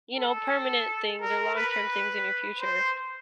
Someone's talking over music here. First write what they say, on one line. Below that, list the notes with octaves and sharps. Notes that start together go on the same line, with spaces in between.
you know, permanent things or long-term things in your future.
A4
A#4
B4
C5